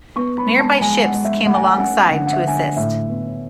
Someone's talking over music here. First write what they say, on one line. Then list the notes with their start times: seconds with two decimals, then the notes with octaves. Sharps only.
Nearby ships came alongside to assist.
0.16 B3 C#6
0.38 B5
0.48 G#3
0.59 A5
0.81 G#3 G#5
1.02 F#5
1.14 G#3
1.24 E5
1.46 A3 F#5
1.54 G#5
1.62 F#5
1.71 G#5
1.78 C#4 F#5
2.11 D3 F#5
2.26 F#5
2.33 E5
2.43 D3 G#5
2.54 F#5
2.76 A2 E5
3.08 B3